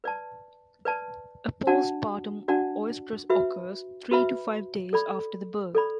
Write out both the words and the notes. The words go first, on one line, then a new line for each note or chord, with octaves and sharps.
A postpartum oestrus occurs three to five days after the birth.
B4 D5 A5
B4 D5 A5
D4 F#4 D5 F#5 A5
D4 F#4 D5 F#5 A5
F#4 B4 E5 B5
F#4 B4 E5 B5
A4 D5 B5
A4 D5 B5